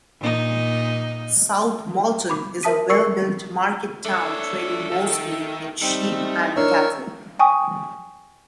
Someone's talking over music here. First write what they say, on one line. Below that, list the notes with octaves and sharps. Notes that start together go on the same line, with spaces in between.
South Molton is a well-built market town trading mostly in sheep and cattle.
A#2 D#4
B5 D6
A#4 E5 A5 D#6 B6 D#7
A#4 C#6 E6 C7 C#7
D4 A4 C#5 E5
D#3
G3 C4 D#4 A4 E5
D4 E4 A#4 C#5 C#6 E6
G5 G#5 C#6 D#6